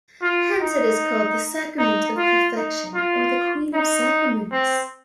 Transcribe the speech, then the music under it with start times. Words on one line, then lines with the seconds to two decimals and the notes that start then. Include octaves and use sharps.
Hence it is called the "sacrament of perfection" or the "queen of sacraments".
0.22 F4
0.61 D#4
1.78 D#4
2.18 F4
2.57 D#4
2.95 F4
3.74 D#4
4.52 C4